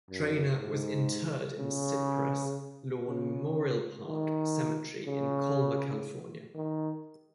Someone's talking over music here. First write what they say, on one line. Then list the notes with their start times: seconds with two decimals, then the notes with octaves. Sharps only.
Traina was interred in Cypress Lawn Memorial Park cemetery in Colma, California.
0.10 F#2
0.59 G#2
1.59 C#3
3.07 C#3
4.07 D#3
5.06 C#3
6.55 D#3